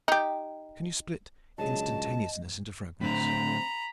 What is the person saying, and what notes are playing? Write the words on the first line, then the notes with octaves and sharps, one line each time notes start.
Can you split instantaneousness into fragments?
D#4 G4
C#2 F#3 D4 G#4 D#5 A5
A2 D3 C4 A#5 B5